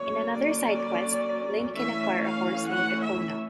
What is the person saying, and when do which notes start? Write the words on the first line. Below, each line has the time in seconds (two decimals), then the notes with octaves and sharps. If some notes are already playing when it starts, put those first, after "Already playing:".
In another side-quest, Link can acquire a horse named Epona.
Already playing: D3 F#3 A#3 C#4 C#5
0.36 D5
1.76 E3 A3 C#4 E5
2.24 F5
2.70 F#5
3.02 E5